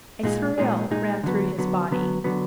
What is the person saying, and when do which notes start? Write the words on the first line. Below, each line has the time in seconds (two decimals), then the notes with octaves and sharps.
A thrill ran through his body.
0.23 A#2 G#3 D#4 G#4
0.58 A#2 G#3 D#4 G#4
0.91 A#2 G#3 D#4 G#4
1.24 D3 F#3 B3
1.58 D3 F#3 B3
1.91 D3 F#3 B3
2.24 D3 F#3 B3